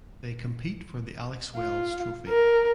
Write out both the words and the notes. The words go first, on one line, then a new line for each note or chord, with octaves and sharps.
They compete for the Alex Wells trophy.
F4
A#4